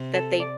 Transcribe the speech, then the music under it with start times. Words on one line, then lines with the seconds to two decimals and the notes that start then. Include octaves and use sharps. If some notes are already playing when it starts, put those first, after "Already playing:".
that they
Already playing: C3
0.14 A4
0.40 D5